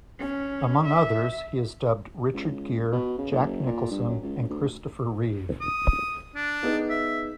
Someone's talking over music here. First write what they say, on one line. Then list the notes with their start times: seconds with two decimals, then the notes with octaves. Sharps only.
Among others he has dubbed Richard Gere, Jack Nicholson and Christopher Reeve.
0.19 C#4
0.86 E5
2.34 C#2
2.92 B2
3.18 C#3
3.31 F#1
3.66 A#2
3.91 G2
4.08 F#2
4.22 C#2
4.49 D2
5.61 D#6
6.35 D4
6.63 B3 D#4 G#4
6.90 E5